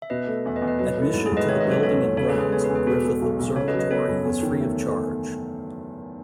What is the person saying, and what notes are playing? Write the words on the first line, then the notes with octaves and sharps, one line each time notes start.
Admission to the building and grounds of Griffith Observatory is free of charge.
E5
B2 B4 D#5
A3
E2 E5
B4 D#5
E2
B4 D#5
F#3 B4 D#5
A3 E4
G#2 E4
G#4
G#2
B4 D#5
D#3 C#5 E5
F#3 B4 D#5
A4 C#5
E2 A4 C#5
E2
C#3 A4 C#5
G#4 B4
G#3
G#4 B4
E2 A4 C#5
G#4 B4
E2
G#4 B4
B2 F#4 A4
G#3
B1
B1
C#3 A4 C#5
B4 D#5
F#3
B4 D#5
B3 A4 C#5
F#2
E2
D#3
A3